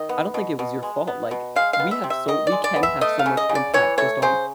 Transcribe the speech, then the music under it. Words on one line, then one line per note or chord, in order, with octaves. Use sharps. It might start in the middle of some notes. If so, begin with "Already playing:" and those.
I don't think it was your fault, like, we have so we can have so much impact just on
Already playing: D#3 D#5
B3
B2
B2
G#3
B3
B2
G#3 F5
F5
B3
E5
C3
E5
D#3 D#5
G#3 D5
D5
B3
E5
A3 D#5
F5
C#3
D#5
C#3
D5
E3 C#5
A3 C#5
C#3 C5